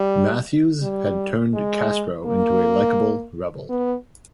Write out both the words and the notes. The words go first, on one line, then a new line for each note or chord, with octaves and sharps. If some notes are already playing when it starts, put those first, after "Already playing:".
Matthews had turned Castro into a likable rebel.
Already playing: G3
G3
G#3
A#3
B3